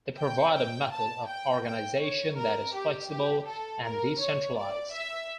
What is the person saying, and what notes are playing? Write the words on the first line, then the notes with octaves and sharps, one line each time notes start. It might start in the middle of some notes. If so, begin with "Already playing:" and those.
They provide a method of organization that is flexible and decentralized.
G5
G5
A5
G5
G5
C#5
A#4
G4
G4
A4
A#4
C#5
D5
E5